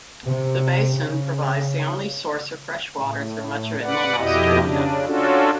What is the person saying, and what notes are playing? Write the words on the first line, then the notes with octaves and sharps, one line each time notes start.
The basin provides the only source of fresh water through much of inland Australia.
C3
C#3
A2
B4 D5 F#5
F2 B2 E4 G4 D#5
C#3 D4
C#4 D4 F4 F#4 A4